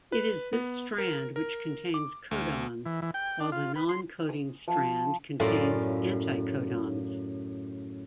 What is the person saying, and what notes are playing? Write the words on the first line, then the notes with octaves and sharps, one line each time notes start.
It is this strand which contains codons, while the non-coding strand contains anticodons.
B4
B3
A#4
A#4
D6
D2
E3
E3
G5
D4
F4
B4
C6
D#6
F3
F#2 A2 F4 D5 F5